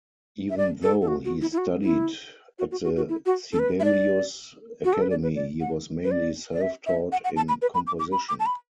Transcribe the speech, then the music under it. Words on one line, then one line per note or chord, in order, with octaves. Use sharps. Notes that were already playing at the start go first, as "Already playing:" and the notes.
Even though he studied at the Sibelius Academy, he was mainly self-taught in composition.
E5
D5
A4
A4
F#4
F#4
E4
E4
F#4
E4
F#4
F#4
F#4
F#4
E4
F#4
A4
B4
E5
D5
F#4
A4
B4
D5
B4
D5
F#5
B4
D5
D5
E5
E5
F#5
F#5
A5
B5
B4
B5
D6
D6
B5
D6
A5
B5